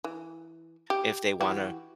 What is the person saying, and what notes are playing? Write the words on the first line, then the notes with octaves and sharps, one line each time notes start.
if they wanna
E3
G4
E3 F#4 G4